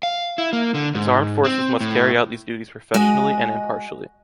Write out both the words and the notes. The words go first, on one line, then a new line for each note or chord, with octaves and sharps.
Its armed forces must carry out these duties professionally and impartially.
F5
E4
A#3
D3
G#2
C4
A2
G#3 F#4 D#5